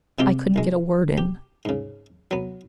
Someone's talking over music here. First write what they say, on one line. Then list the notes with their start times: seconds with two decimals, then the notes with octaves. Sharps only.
I couldn't get a word in.
0.19 C3 G#3 C4 F4 G4
0.56 B1 G#3
1.18 G4
1.65 G#2 C#3
2.31 F#3 B3